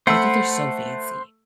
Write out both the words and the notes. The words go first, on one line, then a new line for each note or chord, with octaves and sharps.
but I think they're so fancy.
A3 C5 F#5 B5 E6